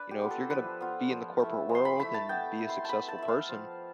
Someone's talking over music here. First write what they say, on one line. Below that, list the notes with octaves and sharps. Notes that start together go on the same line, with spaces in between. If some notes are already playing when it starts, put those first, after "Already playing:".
you know? If you're gonna be in the corporate world and be a successful person
Already playing: D4 B4 D5
G4
B3 F4
A4
F3 B4
B3 F4
F3
A3 E4
F3
C6
B5
A3 E4 B5
A5
B3 G5
E4
C6
B3 A5 B5
A5
E4 E5
F5
F3